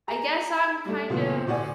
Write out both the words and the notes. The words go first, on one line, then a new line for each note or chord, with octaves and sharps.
I guess I'm kind of
G#4 A#5
G3 A3
C#2 F#2 A#2 E3 A3 B3
D2 A2 D5 F#5 G#5